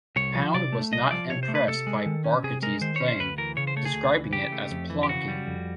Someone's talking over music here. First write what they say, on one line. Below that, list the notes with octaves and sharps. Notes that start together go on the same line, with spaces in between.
Pound was not impressed by Borgatti's playing, describing it as "plonking".
C2 C#5
F3
C3 D5
A3
C2 D#5
F3 D5
C3 C#5
C5
A3
B4
C3 A4
G#3
D#3
C#4
C3 G#4
G#3 A#4
D#3 C5
C#4 C#5
C5
D2 B4
E3 A#4
C#3 C#5
C5
A3 C#5
G#4
D2
E3
C#3 G4
A3
F2
E3
G4
C#3 F#4
G3
F2